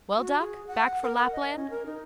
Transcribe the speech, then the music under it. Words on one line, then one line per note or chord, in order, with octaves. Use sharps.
Well, doc? Back fro Lapland?
F#4
G#4
F#5
A#4
F#5
D#5
C#4
A#4
D#4